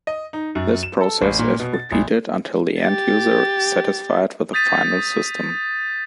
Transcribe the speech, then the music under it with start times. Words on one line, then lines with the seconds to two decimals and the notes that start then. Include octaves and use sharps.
This process is repeated until the end-user is satisfied with the final system.
0.07 D#5
0.33 D#4
0.55 F#2
0.83 E7
1.01 A4
1.21 A1
1.39 A#2
1.60 B2
1.74 A6
1.92 A#1
2.81 G4 A6
4.53 D#6 G6 A6 B6 D#7